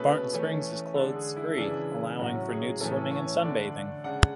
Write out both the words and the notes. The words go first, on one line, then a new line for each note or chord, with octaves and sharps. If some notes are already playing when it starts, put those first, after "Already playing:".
Barton Springs is clothes free, allowing for nude swimming and sunbathing.
Already playing: B2 A3 C#4 G#4 B4
E3 A3 C#4
D3 G#3 D4 A4
G#4
E4
C#3 E3 G#3 D4
A2 F#3 C#4 F#4
G#4
A2 E3 A3 C#4 A4
C#5
D3 A3 D4 D5
C#3 G#3 D4 F#5